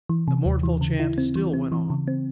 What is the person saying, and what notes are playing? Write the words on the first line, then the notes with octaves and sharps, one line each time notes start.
The mournful chant still went on.
E3
C3
D#2
E3
C#3
E4
C4
E3
C4
E3
C#3
C4